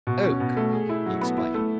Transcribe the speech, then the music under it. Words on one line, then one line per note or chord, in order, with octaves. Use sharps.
"Oak," he explained.
B2
C#4
B2
A3
G#4
E4
F#3
B3
E4
A3